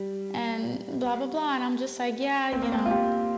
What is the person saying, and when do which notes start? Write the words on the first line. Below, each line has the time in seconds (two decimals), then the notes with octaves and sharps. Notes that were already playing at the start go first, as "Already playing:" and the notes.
and blah, blah, blah." And I'm just, like, "Yeah, you know,
Already playing: G3
2.53 C4
2.62 A#3
2.72 C4
2.85 F4
2.91 G4